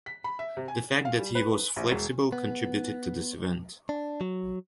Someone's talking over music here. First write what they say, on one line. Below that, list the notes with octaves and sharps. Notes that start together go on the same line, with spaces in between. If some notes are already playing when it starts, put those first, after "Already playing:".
The fact that he was flexible contributed to this event.
B6
B5
E5
C3
G#5
F5
G3
B4
A#1
E1
B3
D4
F#3